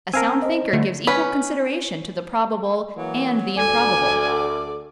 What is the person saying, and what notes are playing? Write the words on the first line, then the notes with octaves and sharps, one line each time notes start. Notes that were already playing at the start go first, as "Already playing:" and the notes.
"A sound thinker gives equal consideration to the probable and the improbable."
C4 A#4 F5 G#5 A5 E6
C5 D#5
D3 G3 A3
C#4 B4
E3 F#3 A#3
D2 A4 D5 G#5